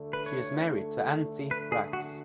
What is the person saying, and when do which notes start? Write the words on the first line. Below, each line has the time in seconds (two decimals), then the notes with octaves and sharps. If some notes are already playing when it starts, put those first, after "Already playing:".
She is married to Antti Brax.
Already playing: D2 D3 A3
0.13 B4
0.26 C#5
1.51 B4
1.72 G#4
1.93 F#4